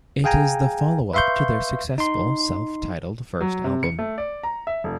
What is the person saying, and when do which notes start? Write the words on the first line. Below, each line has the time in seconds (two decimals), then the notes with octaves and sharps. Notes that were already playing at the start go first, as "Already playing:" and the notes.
It is the follow-up to their successful self-titled first album.
0.24 G#4 F5 G5 G#5 A#5
1.13 B4 E5 F5 C6 C#6 G6
1.98 D#4 C6
3.41 F#3
3.64 C3
3.83 C#7
3.99 A3
4.18 D5
4.43 A#5
4.67 E5
4.84 F1